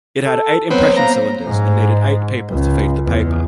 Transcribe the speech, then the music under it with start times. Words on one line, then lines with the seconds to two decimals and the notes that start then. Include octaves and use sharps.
It had eight impression cylinders and needed eight people to feed the paper.
0.24 A4
0.71 F#3 B3 C4 C#5
0.96 A#3 B3 C5 A#5
1.47 G#2
2.50 C#2
3.06 E2